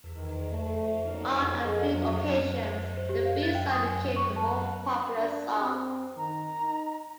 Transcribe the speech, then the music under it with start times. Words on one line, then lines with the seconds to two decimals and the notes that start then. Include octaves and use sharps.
On a few occasions, the B-side became the more popular song.
0.16 D#3
0.51 A3
1.05 D3 F#3 A#3 B3 C#4 D#4
1.63 G#4 A4 D#5 F5
1.93 F#3
2.97 C5
3.09 G4
3.25 F5
3.43 A6
3.55 G5
3.71 D#6
3.85 G#5
4.16 C#6
4.36 A5
5.19 D4
5.60 C4
6.17 D#3 A#5
6.61 D#4